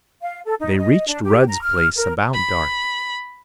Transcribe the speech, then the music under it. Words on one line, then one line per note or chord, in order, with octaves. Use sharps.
They reached Rudd's place about dark.
F5
A4
D#4
D#5
D4
G4
A#5
F6
A#4
B5